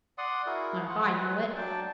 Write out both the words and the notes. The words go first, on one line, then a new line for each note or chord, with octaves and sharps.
Not if I know it.'
D5 F#5 C6 D#6
E4 F#4 G#4 A#4
F4 F#5
B4 G#5
F#3 D4 G5 A5